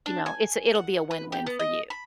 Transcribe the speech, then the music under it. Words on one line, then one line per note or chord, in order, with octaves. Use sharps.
you know, it's it'll be a win-win for you.
D4
G#5
F#5
B4
G4
B3
D#5
B5